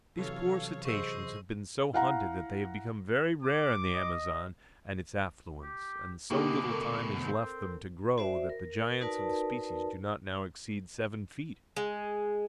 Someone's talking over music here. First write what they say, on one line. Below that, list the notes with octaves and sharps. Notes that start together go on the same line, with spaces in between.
These poor cetaceans have been so hunted that they have become very rare in the Amazon and its affluents, and so little time is left them to grow that the giants of the species do not now exceed seven feet.
C3 E3 F#3 A4 C#5 F5
G#4 C5 D#5 C#6 E6
E4 F5 F#5 A#5
D6
D#5
G4
D2 B2 A#3 D#4 G4 D6
A4 A#4
C4
F#4 C5 D5 E5
A#4
D#4 F#4 A#4 B4 D5 A5
G#3